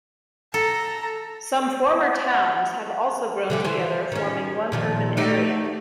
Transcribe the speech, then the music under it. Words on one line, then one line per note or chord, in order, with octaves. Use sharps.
Some former towns have also grown together, forming one urban area.
A4 A#5
F#5
D3 E3 G3
E3 C5
D#3 C#4
A#2 D#3 F3
A3 D#4 G4